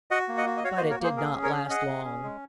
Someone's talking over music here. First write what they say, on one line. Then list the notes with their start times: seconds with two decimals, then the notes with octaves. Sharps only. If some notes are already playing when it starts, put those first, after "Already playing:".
But it did not last long.
0.11 F#4 D#5 F#5
0.29 A#3
0.37 D#5 F#5
0.47 F#4
0.57 D#5
0.64 F#4 C#5 F5
0.77 C5 D#5
0.82 A#3
0.91 A#4 C#5
1.00 A#3 G#4 C5
1.17 G#4 A#4
1.35 C#4
1.43 A#4 C#5
1.52 G#4
1.70 G#4 D#5 F#5
1.87 G#4
2.05 C#4
2.23 G#3